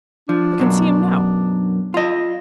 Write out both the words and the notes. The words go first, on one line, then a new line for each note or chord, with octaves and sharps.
I can see him now.
F3 D4
F#2 B2
F4 D#5